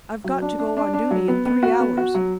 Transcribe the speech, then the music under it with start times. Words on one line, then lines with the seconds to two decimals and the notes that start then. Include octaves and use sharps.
I've got to go on duty in three hours.
0.24 F#3
0.42 D4
0.59 D4
0.77 D4
0.94 D4
1.11 F#3
1.28 B3
1.46 B3
1.63 F#4
1.80 B3
1.97 F#4
2.14 F#3